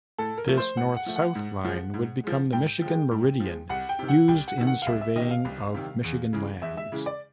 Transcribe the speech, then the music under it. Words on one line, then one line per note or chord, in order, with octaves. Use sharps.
This north-south line would become the Michigan Meridian used in surveying of Michigan lands.
A2 A4
A#4
F3 A3
C5
A2 F#5
F#5
F3 A3
F#5
G#2
F3 G#3
G#2
F3 G#3
G#2 G5
F3 G#3
G#2
F3 G#3
C2 F#5
G5
C3 D#3
F#5
C2 G5
F#5
C3 D#3
F#5
F5
C2 E5
E5
C3 D#3 D#5
F5
C2
C3 D#3
E2
C#3 E3 G#3
E2 E5
E5
C#3 E3 G#3
D5